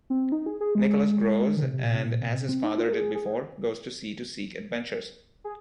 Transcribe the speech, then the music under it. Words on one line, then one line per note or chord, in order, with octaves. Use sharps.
Nicholas grows, and as his father did before, goes to sea to seek adventures.
C4
D#4
G#4
G#4
G#3
D#3
C3
C3
A#2
C3
A#2
C3
A#2
C3
C4
D#4
F4
A#4
G#4
G#4
G#4